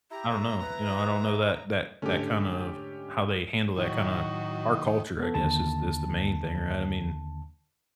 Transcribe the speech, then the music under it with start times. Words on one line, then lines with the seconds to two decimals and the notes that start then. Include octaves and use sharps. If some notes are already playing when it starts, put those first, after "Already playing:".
I don't know, you know, I don't know that that that kind of how they handle that kind of our culture I guess is this the main thing, right? I mean,
0.11 E4 G4 A#5
0.30 A4
0.60 B4
2.02 G#2 D3 A3 C#4 G4
3.77 A2 D#3 F#3 F#4
5.20 B3 A4
5.35 D#2 D3 A5